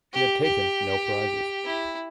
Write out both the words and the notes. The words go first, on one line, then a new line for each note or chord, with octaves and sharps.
She had taken no prizes.
G4
G4
E4